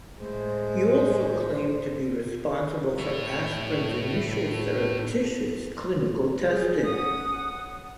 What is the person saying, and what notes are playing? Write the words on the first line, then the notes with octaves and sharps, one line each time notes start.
He also claimed to be responsible for aspirin's initial surreptitious clinical testing.
A2 G#3 C5
A2 C#5
G#4
C#4 F#5 D#6